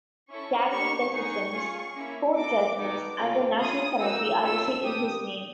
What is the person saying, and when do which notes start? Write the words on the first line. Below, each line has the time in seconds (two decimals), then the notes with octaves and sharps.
Cabinet decisions, court judgments, and the national currency are issued in his name.
0.29 C#4 E4 A4 C#6
0.71 A#3 D4 G4 C#6
1.12 B3 D#4 G#4 C#6
1.53 C#4 F4 G#4
1.94 A#3 C#4 E4
2.35 D4 F#4 A4 D6
2.77 B3 D#4 F#4 A4 D6
3.18 C#4 F4 A4
3.59 C#4 F4 G#4 D#6
4.00 A#3 D#4 F#4 E6
4.42 A3 C#4 F4 A4 E6
4.83 B3 D4 G4 D#6